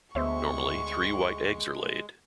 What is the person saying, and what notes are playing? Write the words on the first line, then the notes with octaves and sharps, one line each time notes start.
Normally, three white eggs are laid.
D2 G#3 B3 C5 E5 C#6